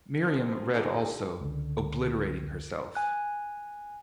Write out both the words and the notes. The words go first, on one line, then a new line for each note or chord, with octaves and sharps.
Miriam read also, obliterating herself.
F3 C4
D3 D#4 F#4 G#4
C#2 D3
G#5 F#6